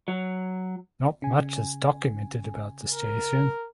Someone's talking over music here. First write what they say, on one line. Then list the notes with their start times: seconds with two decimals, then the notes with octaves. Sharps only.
Not much is documented about the station.
0.08 F#3
1.22 C#3 G#5
2.91 A#4